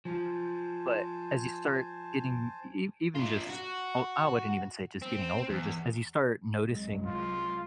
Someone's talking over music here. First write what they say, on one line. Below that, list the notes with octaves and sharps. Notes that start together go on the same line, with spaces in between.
but as you start getting ev even just, o I wouldn't even say just getting older, just as you start noticing,
F3 C5 G#5 A5
D4 F4
F#4
C4
E2
C2 F#3 G#3
F4